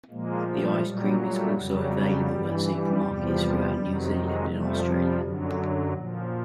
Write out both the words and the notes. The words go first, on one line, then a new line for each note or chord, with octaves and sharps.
The Ice cream is also available at supermarkets throughout New Zealand and Australia.
A#2 F3 G#3 A#3
G3 A3
A#2 F#3 G3
G3 A3
F2 C#3 F#3 G3
G2 E3
G3
E2 C3 F3
F2 C3 D#3 F#3
F#3 G#3
F2 C3 F3 G3 A3
G3
F#2 D3 F#3
A#2 F3